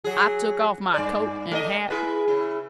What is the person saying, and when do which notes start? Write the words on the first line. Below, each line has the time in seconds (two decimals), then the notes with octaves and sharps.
I took off my coat and hat.
0.04 F#3 G#4
0.94 G2 D5
1.51 A3 G4 D#5
1.90 E4 G#4 B4
2.28 C#3 E4